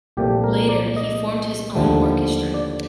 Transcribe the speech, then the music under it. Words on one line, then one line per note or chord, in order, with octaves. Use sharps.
Later, he formed his own orchestra.
C2 A#2 F3 A3 G4
A#4
D5
D#5
D#2 D3 F3 A3
D5